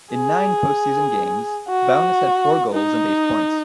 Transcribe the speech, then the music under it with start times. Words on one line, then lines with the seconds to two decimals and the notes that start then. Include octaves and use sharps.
In nine post-season games, Bowness had four goals and eight points.
0.13 G#4
1.69 F#4
2.73 D#4